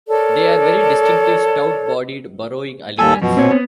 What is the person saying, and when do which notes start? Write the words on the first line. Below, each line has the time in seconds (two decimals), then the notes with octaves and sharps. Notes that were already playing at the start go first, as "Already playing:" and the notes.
They are very distinctive stout-bodied burrowing animals.
0.08 A4 A#4 C#5 D5
2.99 D#2 G3 A4 G#5
3.22 F#2 B2 F3
3.37 A#2 C4 C#5
3.51 B3